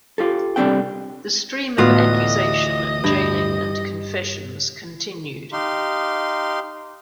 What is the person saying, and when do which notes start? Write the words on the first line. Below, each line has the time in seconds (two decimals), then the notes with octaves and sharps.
The stream of accusation, jailing and confessions continued.
0.18 F4 G4 A4
0.56 C2 G3 C4 D4 A4 G5
1.78 D2 A2 E3 B3 F4 F#4 D#5 F5
3.04 G2 G5
5.53 D#4 G4 F5 C6